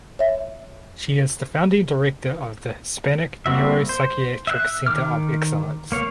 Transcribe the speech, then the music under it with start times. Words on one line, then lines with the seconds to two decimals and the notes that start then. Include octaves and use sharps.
She is the founding director of the Hispanic Neuropsychiatric Center of Excellence.
0.19 C#5 E5
3.46 G3 A#3 C4 F#4 E5
3.89 C5
4.47 E5 F5 F#6
4.86 D#3 D6 F6
5.92 A#3 C#5 F5